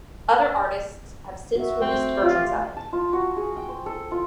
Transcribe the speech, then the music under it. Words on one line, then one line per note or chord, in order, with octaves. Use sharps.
Other artists have since released versions of it.
F#4 E5
A3 C4
F4 G4
A5
F4
F#4
G#4
G5
C5
A4
F4